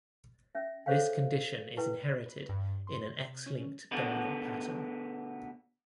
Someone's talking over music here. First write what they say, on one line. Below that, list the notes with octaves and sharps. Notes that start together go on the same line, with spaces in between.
This condition is inherited in an X-linked dominant pattern.
C#4 E5
G#4 A4 C5 C#5 F5 G5
E4 B4 G5
B4
G2
C6
C3
C#4
B2 D3 B3 B4